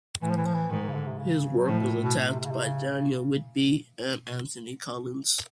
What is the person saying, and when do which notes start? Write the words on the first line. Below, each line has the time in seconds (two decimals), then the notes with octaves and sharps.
His work was attacked by Daniel Whitby and Anthony Collins.
0.22 A2 E3
0.30 F3
0.37 E3
0.46 F3
0.54 E3
0.70 G#2 D#3
0.83 D#3
0.88 C#3
0.94 D3
1.07 C3
1.18 C#3
1.57 F#3
1.66 A2 F3
1.79 B2
2.04 B2
2.27 C3
2.40 C3
2.46 C#3
2.51 C3
2.64 C#3